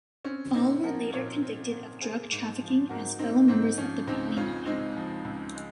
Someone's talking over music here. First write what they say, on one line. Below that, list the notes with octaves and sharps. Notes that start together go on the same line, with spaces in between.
All were later convicted of drug trafficking as fellow members of the Bali Nine.
C4 C#4
A#2 C4 D#4
F3 F#4 A#4
A#2 A#4 C#5
C4
A#2
A#3 G#4 C5
G#2
F3
G#2 F#4 A#4
A#3 C4 D#4
G#2 C4
F3 C#4
C#2 C4 D#4
C#3 C#4 F4
G#3 C4 D#4
F3
C#2
G#3